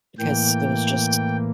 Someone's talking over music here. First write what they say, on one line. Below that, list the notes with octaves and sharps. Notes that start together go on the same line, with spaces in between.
because it was just
A2 E3 A#3 G5